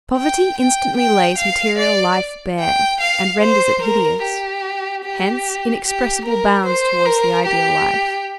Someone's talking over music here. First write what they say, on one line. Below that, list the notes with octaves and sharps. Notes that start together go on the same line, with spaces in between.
Poverty instantly lays material life bare and renders it hideous; hence inexpressible bounds towards the ideal life.
G5
G5
G5
F5
D5
G5
F5
C5
A#4
G4
G4
G4
A#4
C5
A#4
G4